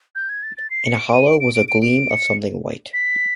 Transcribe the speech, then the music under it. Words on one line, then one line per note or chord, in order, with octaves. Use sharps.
In a hollow was a gleam of something white.
G6
G#6
A6
A6
C7
C#7
D7
D7
D#7
D7
D7
D7
D7
D7
C#7
B6